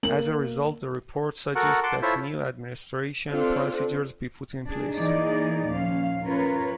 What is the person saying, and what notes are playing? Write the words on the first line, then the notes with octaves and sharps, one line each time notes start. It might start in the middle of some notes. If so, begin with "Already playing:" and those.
As a result, the report suggests that new administration procedures be put in place.
A#3 F#7
F#4 A4 A#4 F#5
F#5 A5 C6 D6
E4 F4 A4 C5 C#5 E5
C4 D4 F4 A4
D4 G#4
E3 A#3 D#4 G#4 D5 D#5
D#2 A#2 F3 C#4 F5
C#4 F4 A#4 B4 C#5